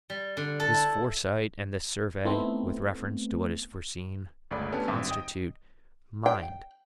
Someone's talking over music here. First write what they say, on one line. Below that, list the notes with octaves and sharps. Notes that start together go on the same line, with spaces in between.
This foresight and this survey with reference to what is foreseen constitute mind.
G3
D3
A4
E4
A3 B3 C4 D#4 E4
G1 C#2 G#3 A3 D5 B5
A3 B3 C#4 D4 G4 A4
G#1 G2 G3 C4 E5
D#5 G5 D#6
G5